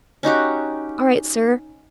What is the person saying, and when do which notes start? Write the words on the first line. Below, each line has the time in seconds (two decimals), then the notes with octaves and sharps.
'All right, Sir.
0.23 C#4 D#4 F#4 G4